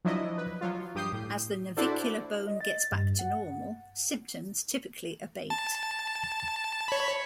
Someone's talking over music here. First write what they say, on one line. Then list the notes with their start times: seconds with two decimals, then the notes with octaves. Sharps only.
As the navicular bone gets back to normal, symptoms typically abate.
0.05 F3 F#3 D4 E4 D#5
0.38 B4
0.61 F3 F#3 F4
0.95 G2 G4 D#6 G6 C7
1.13 A2
1.77 D4 E4 F#4 A4 C5 D5
2.47 D#5
2.61 A6
2.92 G2
3.19 F#5
5.50 A5
6.88 C#5 B5